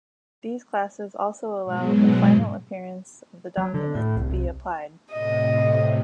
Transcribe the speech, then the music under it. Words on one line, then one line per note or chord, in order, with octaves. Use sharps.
These classes also allow the final appearance of the document to be applied.
G#2 B2 F#3 G#3
F#3
D3
A2
C2
C2
A2 C3 D#5